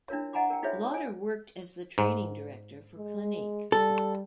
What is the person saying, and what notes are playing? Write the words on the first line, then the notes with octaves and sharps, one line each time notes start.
Lauder worked as the training director for Clinique.
D4 E4 F4 A#4 C#5
D#5 F#5 G#5 A#5 B5 D6
A#4 G5
D#4 F4 G#4 C5 C#5 E5
G#5
G#2
G#3
G3 A4